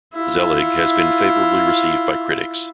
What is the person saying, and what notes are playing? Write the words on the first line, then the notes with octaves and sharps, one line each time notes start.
"Zelig" has been favorably received by critics.
E4 F4